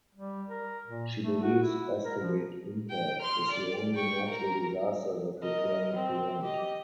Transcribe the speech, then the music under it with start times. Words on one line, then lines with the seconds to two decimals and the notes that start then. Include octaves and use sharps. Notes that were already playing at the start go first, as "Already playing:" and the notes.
She believes asteroid impact is the only natural disaster that we can prevent.
0.15 G3
0.49 A#4
0.87 A#2
1.21 A3
1.43 F#4
1.63 E4
2.05 A#4
2.23 F3
2.89 G5
3.20 C6 F6
3.51 D5
3.94 G5 C#6
4.27 A#4 A#5
5.42 A#4 D#5
5.94 C4
6.43 G4 D#5